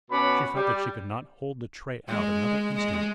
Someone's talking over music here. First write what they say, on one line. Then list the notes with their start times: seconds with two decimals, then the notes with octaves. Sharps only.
She felt that she could not hold the tray out another instant.
0.11 B2 C#4 D5 F#5 B5
0.55 G3
2.08 G#3
2.75 G#3